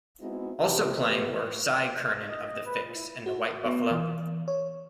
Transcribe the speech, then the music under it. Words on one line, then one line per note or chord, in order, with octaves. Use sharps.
Also playing were Cy Curnin of The Fixx, and The White Buffalo.
G#3 B3 C4 D#4 E4 F#4
C3 E3 G4
D#3 F3 B3 G4 B4
D#5
D#5
B4
A#2
E4
F#4
B3
E3
C#5